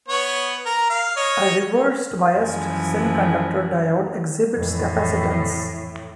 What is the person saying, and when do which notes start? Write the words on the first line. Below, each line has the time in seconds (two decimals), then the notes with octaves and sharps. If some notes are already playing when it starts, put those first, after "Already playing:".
A reversed-biased semiconductor diode exhibits capacitance.
0.08 B3 C#5
0.66 A#4
0.90 F5
1.16 C#5 D#5
2.36 F#2 E3 F3 G#3
4.56 F2 A2 E3